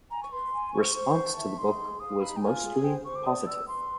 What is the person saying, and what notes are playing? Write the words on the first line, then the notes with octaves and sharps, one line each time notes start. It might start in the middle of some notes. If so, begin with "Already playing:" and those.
Response to the book was mostly positive.
G#5 A#5
C#6
B4 C6
G#5
C5 C#6
C5
A5
E5
D#4 C6
G#4
F5 D#6
D#4 B5
G5
F4 G#5
G#4
C5 G5
C5 C#6
D6
D5 D#6
B4 E6
B4 C6